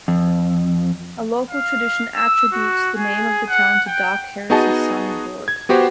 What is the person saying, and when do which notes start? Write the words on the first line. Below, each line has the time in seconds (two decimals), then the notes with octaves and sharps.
A local tradition attributes the name of the town to Doc Harris's son Ward.
0.08 F2
1.50 F5
2.15 E6
2.52 F#4
2.96 G#4
3.48 F#5
3.87 G5
4.50 B3 D#4 F#4 G#4 D#5 A5
5.48 G#6
5.69 B3 F#4 G4 C5 F#5